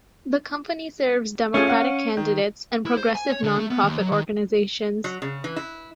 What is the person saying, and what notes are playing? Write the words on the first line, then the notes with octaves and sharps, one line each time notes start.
The company serves Democratic candidates and progressive non-profit organizations.
A3 C#4 F4 G#4
F5 F#5
D#3
E4
C5
G#5
C#5
D3
A3
B3
D#2
F#3
D#3
F#3
C#3
E3
E4